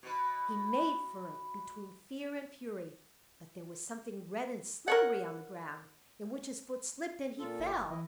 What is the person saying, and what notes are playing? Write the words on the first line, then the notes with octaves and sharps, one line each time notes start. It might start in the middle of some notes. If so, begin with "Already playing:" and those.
He made for it between fear and fury, but there was something red and slippery on the ground, in which his foot slipped, and he fell.
B2 B4
A#4 C#5 F#5
A#2 F4 A4
F#1
E3 E4 D#5